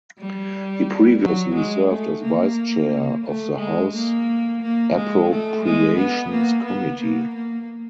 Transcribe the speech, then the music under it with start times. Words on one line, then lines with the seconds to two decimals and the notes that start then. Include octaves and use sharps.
He previously served as vice chair of the House Appropriations Committee.
0.19 G3
1.20 F#3
1.55 G#3
1.89 A3
2.22 A#3
3.25 A3
3.59 G#3
3.94 A#3
4.62 A#3
4.95 G#3
5.30 A3
5.64 G#3
5.97 B3
6.31 A#3
6.65 B3
7.00 A#3
7.35 A#3